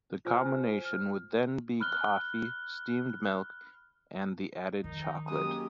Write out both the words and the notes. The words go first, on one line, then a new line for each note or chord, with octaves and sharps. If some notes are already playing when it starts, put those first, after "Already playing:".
The combination would then be coffee, steamed milk, and the added chocolate.
F4 C5 G#5 F6
F6
B5 F6 F#6 G7
D#3 F3 D#4
F#2 G#3 A#3 G4 D#6